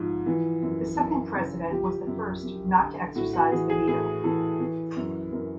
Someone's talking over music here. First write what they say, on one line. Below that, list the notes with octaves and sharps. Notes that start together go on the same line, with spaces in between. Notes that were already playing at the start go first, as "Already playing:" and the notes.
The second president was the first not to exercise the veto.
Already playing: G#2 F3
E3
F#2
F#2
C#3
F3 G4
F#2
F#2
D3
A2 F#4
F#4
E3 G#4
G#4
A2 G#4
E3 A4
E3
F#2
F#2 A#4